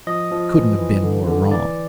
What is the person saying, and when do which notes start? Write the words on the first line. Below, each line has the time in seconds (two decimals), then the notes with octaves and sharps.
He couldn't have been more wrong.
0.07 F3 D#5
0.32 F3
0.55 E3
0.79 E3
1.03 D3
1.28 D3
1.51 E3 D5